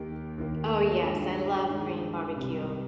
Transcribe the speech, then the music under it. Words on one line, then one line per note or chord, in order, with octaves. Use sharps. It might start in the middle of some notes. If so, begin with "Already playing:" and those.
Oh, yes, I love Korean barbecue.
Already playing: D#2 D#3 A#3 G4
D#2 D#3 A#3
G2 D#3 G#3 F4
G2 D#3 G#3 D#4
C2 C3 G3